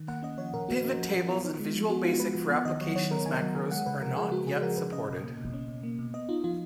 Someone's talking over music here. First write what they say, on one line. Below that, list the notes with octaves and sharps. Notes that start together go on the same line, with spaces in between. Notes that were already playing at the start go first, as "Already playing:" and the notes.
Pivot tables and Visual Basic for Applications macros are not yet supported.
Already playing: D#3
A#3 F#5
C#4 D#5
F3 C#5
A#2 A#4
A#3 F#4
C#4
F3
A#2
B3 F4
D#4
G#3
F3
B3 F#4
D#4 F4
G#3 B4
F3
B3 F#5
D#3 D#5
F#3 C#5
D#3 C#5
B3 A#4
D#3 G#5
F#3
D#3
G#3 F#5
C#3 B4
F3 A#4
C#3 G#4
G#3 F#4
C#3 G#4
F3 A#4
C#3 B4
C#4 D#5
B2
A#3
B2
C#4
B2
A#3
B2
B3 D#5
D#4 F4
F3 F4